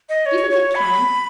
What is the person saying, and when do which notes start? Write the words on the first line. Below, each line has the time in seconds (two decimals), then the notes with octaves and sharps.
Do you think it can?
0.09 D#5
0.26 C#5
0.51 C#5
0.75 B5